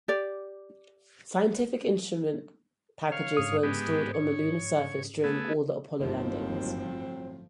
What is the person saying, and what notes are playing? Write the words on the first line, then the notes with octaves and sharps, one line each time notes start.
Scientific instrument packages were installed on the lunar surface during all the Apollo landings.
G4 D5
C#5 F5
G#2 D#6
G#3 B3 G4
C#5
A3 B3 G#4
G1 D#2 A2 F3 F#3 C4